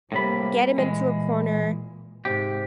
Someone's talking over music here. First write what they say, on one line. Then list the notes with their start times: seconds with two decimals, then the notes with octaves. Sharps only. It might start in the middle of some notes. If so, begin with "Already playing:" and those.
get him into a corner,
0.12 A2 C3 G3 A#3 B5
0.78 A#2 E3 G#3
2.25 G#2 C3 G4